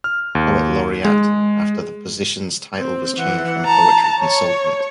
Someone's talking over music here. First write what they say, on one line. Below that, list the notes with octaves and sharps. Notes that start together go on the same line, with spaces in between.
Poet Laureate after the position's title was changed from Poetry Consultant.
F6
D#2
G#3
C4
E3 F#5
A5 A#5
C#5